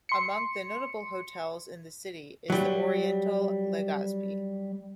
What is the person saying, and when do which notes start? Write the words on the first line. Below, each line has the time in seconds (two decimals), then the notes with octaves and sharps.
Among the notable hotels in the city is The Oriental Legazpi.
0.09 C6 C#7
2.50 F#3 G3